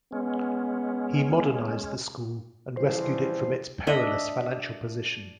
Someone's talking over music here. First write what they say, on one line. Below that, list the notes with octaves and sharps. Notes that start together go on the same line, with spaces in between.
He modernised the school and rescued it from its perilous financial position.
G#3 B3 C#4
E3 F3 G3 C5
D4 D#5 E5